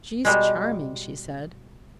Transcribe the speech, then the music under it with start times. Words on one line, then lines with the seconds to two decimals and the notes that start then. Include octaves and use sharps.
"She's charming!" she said.
0.25 B2 G3 G#3